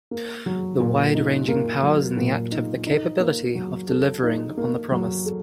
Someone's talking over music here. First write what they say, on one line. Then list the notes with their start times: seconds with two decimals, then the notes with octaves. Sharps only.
The wide-ranging powers in the Act have the capability of delivering on the promise.
0.11 A#3
0.46 F#3
0.80 A#2
1.15 D#4
1.48 A#3
1.83 F#3
2.17 A#2
2.52 D#4
2.87 D#4
3.20 A#3
3.55 F#3
3.89 A4
4.23 D#4
4.57 A#3
4.91 F#3
5.26 A4